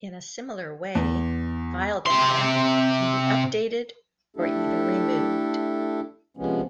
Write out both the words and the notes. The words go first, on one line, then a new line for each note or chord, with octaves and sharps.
In a similar way, file data can be updated or even removed.
E2
C3 C6
A3 D4 E4 G4 A4
C3 F3 G#3 B3 C#4